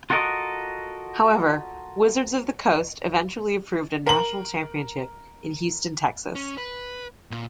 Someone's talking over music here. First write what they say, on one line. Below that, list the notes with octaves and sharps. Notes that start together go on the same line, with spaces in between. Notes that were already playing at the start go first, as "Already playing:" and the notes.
However, Wizards of the Coast eventually approved a national championship in Houston, Texas.
F4 F#4 A4 A#4 D#5
A#4 F#7
C#4
B4
A#2